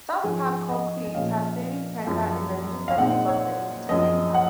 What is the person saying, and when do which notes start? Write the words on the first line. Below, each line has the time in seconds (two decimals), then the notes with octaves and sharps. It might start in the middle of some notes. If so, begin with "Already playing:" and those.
"South Park" co-creator Trey Parker is a registered member of the Libertarian Party.
0.23 G#2 F3 G#3 C#4 G#4
0.69 D#5
1.05 D#5
1.15 A#2 F3 G#3 C#4 F5
2.06 F#2 F3 G#3
2.88 F5
2.97 A#2 G#3 C4 D#4 F#5
3.28 C#5
3.89 F#2 F3 G#3 C#4 D#5
4.34 F#5